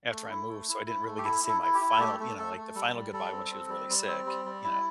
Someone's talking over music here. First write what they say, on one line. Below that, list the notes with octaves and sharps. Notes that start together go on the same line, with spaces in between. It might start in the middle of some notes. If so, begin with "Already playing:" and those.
after I moved, so I didn't really get to say my final you know, like the final goodbye when she was really sick, you know?
A3
E4
A3
E4
E4
A3
G4
E4 A4
E4
A4
E4
G4
E4
A4
A3 G4
A3
A3 A4
A3
G3 A4
G3
G3 A4
C4
C4
G3
G3
C4
G3
G3
E4